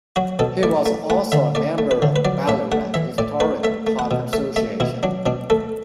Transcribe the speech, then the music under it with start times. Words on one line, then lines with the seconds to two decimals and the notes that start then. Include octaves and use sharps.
He was also a member of Ballarat Historical Park Association.
0.16 F#3 F#4
0.39 B2 A4
0.63 A3 D5
0.86 A3
1.10 A3 F#5
1.32 D3 E5
1.55 A3 D5
1.78 A3
1.91 B4
2.02 D3
2.16 B4
2.25 F#3 D5
2.48 A2 E5
2.72 A3 F#5
2.94 E3 E5
3.18 A2 D5
3.40 A3 B4
3.64 A3 E5
3.87 A3
3.99 F#5
4.11 B2
4.33 A3 E5
4.56 A3 E5
4.80 B2 E4
5.03 F#3 D4
5.26 B2 D4
5.50 A3 A4